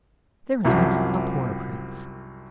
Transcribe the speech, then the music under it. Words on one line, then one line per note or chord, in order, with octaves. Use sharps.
There was once a poor Prince.
C2 F#2 C3 F3